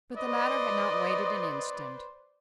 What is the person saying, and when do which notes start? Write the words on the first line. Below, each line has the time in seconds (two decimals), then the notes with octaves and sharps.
But the latter had not waited an instant.
0.18 B4 C5 D5 D#5